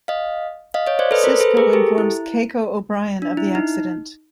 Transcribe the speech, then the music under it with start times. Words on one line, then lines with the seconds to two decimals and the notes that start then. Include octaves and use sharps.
Sisko informs Keiko O'Brien of the accident.
0.08 D#5 F5
0.74 D#5 F5
0.87 C#5 D#5
0.99 C5 D5
1.11 A4 B4
1.24 A#4 C5
1.40 A4 B4
1.57 G#4 A#4
1.73 G4 A4
1.98 E4
3.22 D4
3.37 E4
3.55 D#4